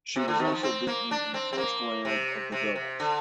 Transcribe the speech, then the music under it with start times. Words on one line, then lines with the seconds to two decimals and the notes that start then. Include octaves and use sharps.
She was also beaten in the first round of the doubles.
0.16 C3
0.28 D3
0.40 D#3
0.52 F3
0.63 C4
0.87 A#3
1.11 D4
1.34 C4
1.53 C4
1.58 A#3
2.05 C3
2.52 C3
2.76 C3
3.00 D3